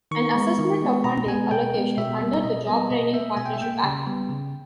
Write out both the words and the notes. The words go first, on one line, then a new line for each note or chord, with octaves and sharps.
An assessment of funding allo- cation under the Job Training Partnership Act.
D#3 C#6
G#3 B3
D#3
G#3 B3
B2 A#5
G#3 B3 G#5
B2 G5
G#3 B3
B2 E5
G3 B3
B2 D#5
G3 B3 D#5
B2 D#5
A#3 E5
B2 G#5
G5
E5
A#3 G5
C#3
G3 B3
C#3